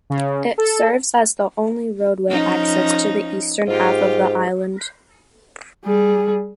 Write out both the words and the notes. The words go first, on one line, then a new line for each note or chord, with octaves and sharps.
It serves as the only roadway access to the eastern half of the island.
C#3
A4
F3 C#4 D#4
G#2 F4 G4
G3 G#4